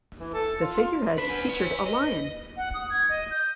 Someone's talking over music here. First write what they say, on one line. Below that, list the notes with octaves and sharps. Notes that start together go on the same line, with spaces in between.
The figurehead featured a lion.
E3
A4
F4
F4
D4 B4
F#5 G#5
D5 G#5
D#5
F#5
D#6
G#6
D#5
G6